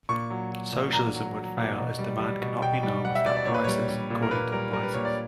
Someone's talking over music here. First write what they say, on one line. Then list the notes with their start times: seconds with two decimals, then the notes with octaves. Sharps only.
Socialism would fail as demand cannot be known without prices, according to Mises.
0.09 A#2 C#6
0.30 F#3
0.52 F#3
0.72 A#2
0.93 A#2 A#5
1.15 F#3
1.36 F#3
1.57 A#2
1.78 B2
1.99 G3
2.20 G3
2.41 B2
2.62 B2 G5
2.83 G3
3.05 G3 F#5
3.15 E5
3.26 B2 D5
3.37 D5
3.45 A#2 C#5
3.54 B4
3.64 G3 C#5
3.89 G3
4.10 A#2
4.22 A#4
4.31 A#2 B4
4.52 G3 A#4
4.73 G3 A#4
4.83 B4
4.94 A#2 C#5
5.05 D5